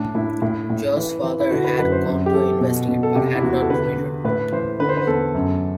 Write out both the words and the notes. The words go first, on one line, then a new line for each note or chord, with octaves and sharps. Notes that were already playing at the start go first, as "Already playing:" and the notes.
Jo's father had gone to investigate but had not returned.
Already playing: A2 D4
A2 E4
A2
A2
E3
E3
E4
D3 F#4
B4
F#2 B4
C5
F#2
G4
E3 A4
B2
B2
A4
C3 G4
E4
E2 F#4
A4
D3 B4
D3
A2 B4
E3 C5
D3 B4
C5
B4
E2 A4
F#2